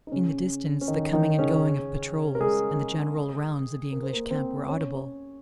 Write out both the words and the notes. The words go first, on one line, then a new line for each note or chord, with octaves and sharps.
In the distance the coming and going of patrols and the general rounds of the English camp were audible.
D#4
C#3 C#4
C#4
D#3 D#4
D#3 D#4
C#3 C#4
A#4
G#3 G#4
A#4
C5
A#3 A#4
C4 C5
C#4 C#5